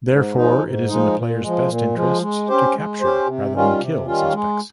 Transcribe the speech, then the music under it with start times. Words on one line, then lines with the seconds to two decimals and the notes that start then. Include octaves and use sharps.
Therefore, it is in the player's best interests to capture rather than kill suspects.
0.10 G#2
0.37 F3 G#3 D#4
0.63 G#2
0.89 F3 G#3 D#4
1.16 A#2
1.42 F3 G#3
1.68 A#2
1.95 F3 G#3
2.22 G#3
2.48 C#4 G4 C5
2.75 G#3
3.00 C#4 G4 C5
3.27 C3
3.53 D#3 G3 C#4 F4
3.80 C3
4.07 D#3 G3 C#4 F4
4.33 G#3